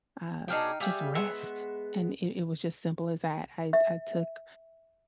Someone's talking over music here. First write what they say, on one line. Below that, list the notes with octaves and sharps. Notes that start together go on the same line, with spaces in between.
uh, just rest, and it it was just simple as that. I d I took
B2 D4 D#4 G#4 F5 G5
G3 G#4 E5 F5 G5
G#3 B3 E5 C#6
E5